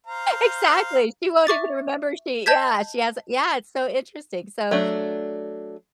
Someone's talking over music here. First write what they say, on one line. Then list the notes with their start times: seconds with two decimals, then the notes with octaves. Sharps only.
Exactly, she won't even remember, she yeah, she has yeah, it's so interesting, so,
0.07 C5 F5 A#5
1.47 E5 C#6 D6 A6
2.46 D#5 A5 G6 G#6 B6
4.71 F#3 A3 D4